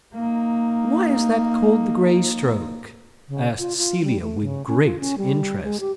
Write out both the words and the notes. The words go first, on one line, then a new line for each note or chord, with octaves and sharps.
"Why is that called the Grey stroke?" asked Celia with great interest.
A#3 D#4
C#3
F4
F4
G3
A3
C#3
C#4
F4
C#4
G3
G#3
G4